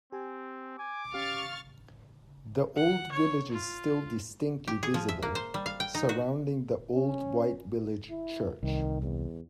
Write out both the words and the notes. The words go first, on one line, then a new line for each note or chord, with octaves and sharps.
The old village is still distinctly visible, surrounding the old white village church.
C4 G4 G#5
G#5 D6
C#4 G4 F5 C#6 F6 A6
F#5
C#5
F4
G4
G#4
F3
E5
A#3
C5
G3
F5
G5
D#4
F#4
C#4
E4
C2 D#3
E2